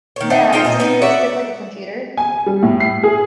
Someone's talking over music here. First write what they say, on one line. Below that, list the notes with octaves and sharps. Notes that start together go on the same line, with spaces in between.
Yeah. So do you sit at, like, a computer?
D#3 C#5
D4 D#4 E5 F#5
C4 D#4 F4 G5
A#2 D#5
B3 D#4
F#4 D5 E5 F#5
G#5
G3
A2
C7
G#4